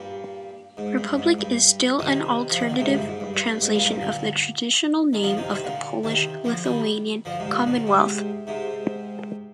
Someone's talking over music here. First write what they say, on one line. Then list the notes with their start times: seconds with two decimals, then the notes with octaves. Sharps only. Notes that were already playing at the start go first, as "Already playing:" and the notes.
"Republic" is still an alternative translation of the traditional name of the Polish-Lithuanian Commonwealth.
Already playing: G2 A#2
0.77 G#2
0.98 G2
1.18 G#2
1.39 G2
1.99 C3 D#3
2.51 F3
2.60 D#3
2.70 D3
2.80 G#2 C3
2.93 G2 A#2
3.07 G#2
3.20 G2
3.34 G2
3.47 G2
3.61 G#2
3.74 G2 A#2
3.88 G2 A#2
4.01 A#2 D3
5.13 D#3
5.23 D3 F3
5.37 C3 D#3
5.50 C3 D#3
5.64 A#2 D3
6.04 C3 D#3
6.44 D3 F3
6.65 D#3 G3
7.25 D3 F3
7.39 G#2 C3
7.52 A#2 D3
7.67 A#2 D3
7.86 G#2 C3
8.47 G#2 C3